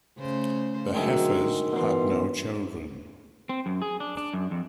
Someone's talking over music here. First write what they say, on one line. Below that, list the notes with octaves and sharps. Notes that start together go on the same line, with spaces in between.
The Heffers had no children.
C#3 A3 C5
D3 D#3 F#3 G#3 F#4 E5
B2 E3 C6
C4
F#2
G#4
D4
D4
F#2
F2